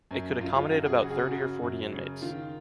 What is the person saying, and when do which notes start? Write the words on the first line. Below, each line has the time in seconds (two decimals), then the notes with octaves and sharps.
It could accommodate about thirty or forty inmates.
0.11 F#2
0.41 F#2 F4
0.56 F4
0.71 F#2 F#4
0.86 G#4
1.01 C#3 F#4
1.10 G#4
1.19 F#4
1.32 C#3
1.62 F#2
1.93 C#3
2.22 D#3 F4